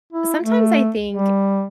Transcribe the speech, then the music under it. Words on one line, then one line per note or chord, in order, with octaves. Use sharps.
sometimes I think,
E4
A3
G3